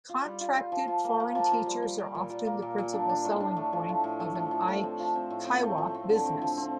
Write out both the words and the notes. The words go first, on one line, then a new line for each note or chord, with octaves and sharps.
Contracted foreign teachers are often the principal selling point of an eikaiwa business.
F4
G3
F4
F4
F3
F3
A#3
A#3
F3
F3
G3
G3
G3
A#2
A#2
A#3
A#2
A#2
D4
D4
A2
D4
A3
F3
F3
A2
A3
F3
F3
A2
C4
F3
C4
A2
C4
A3
F3
C4
D3
C4
F3
C4